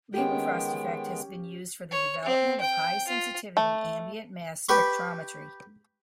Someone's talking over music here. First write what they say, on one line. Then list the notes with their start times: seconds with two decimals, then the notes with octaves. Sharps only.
Leidenfrost effect has been used for the development of high sensitivity ambient mass spectrometry.
0.14 D#3 G#3 B3 C#4 G4 G5
1.91 C#5
2.25 C4
2.60 G5
3.08 F4
3.57 A3
4.69 G4 B4 B5 C#6